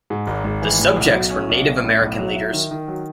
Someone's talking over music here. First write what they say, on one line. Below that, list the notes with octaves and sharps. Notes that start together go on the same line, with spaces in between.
The subjects were Native American leaders.
G#2
G#1
G#1
E3
A2
B1
F#3
C#4
B1
C#4
A2
B1
F#3
E4
D#3
D#3
F#3